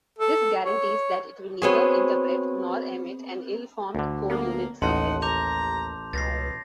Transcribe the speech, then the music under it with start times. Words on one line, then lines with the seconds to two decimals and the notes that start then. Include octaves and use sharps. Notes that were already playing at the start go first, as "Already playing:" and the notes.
This guarantees that it will neither interpret nor emit an ill-formed code unit sequence.
0.19 A4
0.65 C#5
1.62 B3 C4 F#4 G#4 B4 C#5
3.95 D2 D3
4.30 A#3 B3
4.82 A1 D#2 D#4 F#5 A5 C6
5.22 A#5 D6 G6 F7
6.13 C#2 B2 A6 A#6 C7